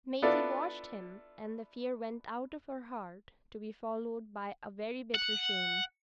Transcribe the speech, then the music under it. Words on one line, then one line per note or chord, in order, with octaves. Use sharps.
Maisie watched him, and the fear went out of her heart, to be followed by a very bitter shame.
B3 D4 E4 F4 A4 D5
F#5